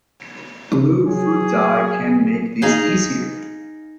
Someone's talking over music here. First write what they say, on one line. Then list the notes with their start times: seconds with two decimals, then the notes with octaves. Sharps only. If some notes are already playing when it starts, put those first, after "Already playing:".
Blue food dye can make this easier.
1.08 F#3 G#4
2.62 D#4 G#4 F5